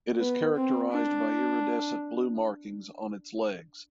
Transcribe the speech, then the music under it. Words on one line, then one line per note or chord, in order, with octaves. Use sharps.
It is characterized by iridescent blue markings on its legs.
B3
C4
D4